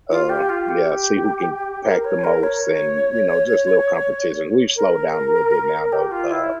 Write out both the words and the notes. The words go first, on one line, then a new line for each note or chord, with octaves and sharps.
Uh, yeah. See who can pack the most and, you know, just little competition. We've slowed down a little bit now, though, uh,
F4
G4
F4
G4
A#4
C#5
A#4
C#5
A#4
G4
F4
E4